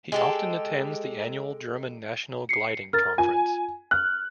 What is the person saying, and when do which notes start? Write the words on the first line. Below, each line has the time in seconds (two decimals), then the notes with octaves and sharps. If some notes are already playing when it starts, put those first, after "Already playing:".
He often attends the annual German national gliding conference.
0.12 G#3 G4 A4
2.49 C7 C#7
2.93 A#4 F6 A6
3.18 F4 G#5
3.91 F6 F#6